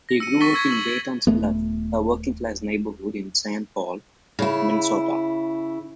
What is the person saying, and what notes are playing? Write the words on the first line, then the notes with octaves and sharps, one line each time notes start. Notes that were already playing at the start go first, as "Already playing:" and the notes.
He grew up in Dayton's Bluff, a working-class neighborhood in Saint Paul, Minnesota.
A#6
E6 C#7 D#7
C#6 E6 A6 B6 G7
E6 G#6 B6 C#7
E6 F#7
A6
D#1 A3 B3
C#3 E4